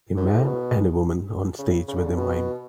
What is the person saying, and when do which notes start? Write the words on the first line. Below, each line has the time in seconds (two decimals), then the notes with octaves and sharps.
A man and a woman on stage with a mime.
0.17 F#2
0.26 G#2
0.36 A2
0.44 B2
1.58 C#3
1.88 C#3
1.96 D3
2.05 C#3
2.17 B2